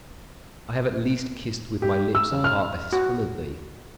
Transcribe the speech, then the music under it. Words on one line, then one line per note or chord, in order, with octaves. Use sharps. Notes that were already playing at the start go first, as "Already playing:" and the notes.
I have at least kissed with my lips a heart that is full of Thee.
G4
E6
C#3
F6
F#4